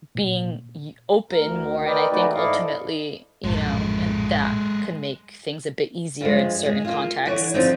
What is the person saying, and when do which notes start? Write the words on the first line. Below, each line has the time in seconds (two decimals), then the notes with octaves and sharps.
being y open more and I think ultimately, you know and that can make things a bit easier in certain contexts.
0.15 A#2
1.30 D2 A#4
1.85 A#4 B4 D5 D#5 G5
2.10 E3 A3 D#4 F#4 B4 D5
2.34 G#2 E4 A4 D5 D#5 F5
3.44 A#1 F#2 A2 G#3 A4
6.21 G2 F3 G#3
6.66 G#3
6.85 A#3 F4
7.26 D3 E3 C#5 F#5
7.54 D3 F3 C4 D#4